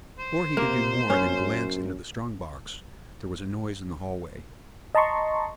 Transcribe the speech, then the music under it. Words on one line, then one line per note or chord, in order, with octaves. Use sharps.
But before he could do more than glance into the strong box, there was a noise in the hallway.
C5
C3 A#3
F#2 C#4
D#5 A5 A#5 C6 C#6